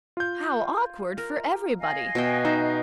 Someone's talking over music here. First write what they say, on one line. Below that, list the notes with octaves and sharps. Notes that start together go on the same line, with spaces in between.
How awkward for everybody!
F4 G6
A#4
D#5 F5 G#5
B2 E5 G5
D#4 E5